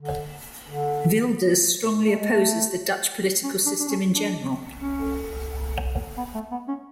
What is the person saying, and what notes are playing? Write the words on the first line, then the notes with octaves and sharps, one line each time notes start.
Wilders strongly opposes the Dutch political system in general.
D3
D3
A3
G#3
A3
C#4
D4
D4
C#4
D4
C#4
B3
A3
B3
C#4